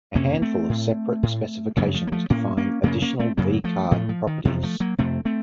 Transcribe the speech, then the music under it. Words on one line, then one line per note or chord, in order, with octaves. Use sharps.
A handful of separate specifications define additional vCard properties.
F2 C3 A#3 C#4
A3 C4
A2
A2
F#2 C#3 F#3 A#3
F3 A3
A#3
F3 A3
A2 A#3 C#4
A#3 C#4
F#2 C#3 A#3 C#4
A#3 C#4
A3 C4
F#2 C#3 F#3 A#3
F3 A3
A2 F3 A3
F3
D#3
F2 C3 F3
F3 A3
F#3 A#3
F2 C3 A3 C4
A3 C4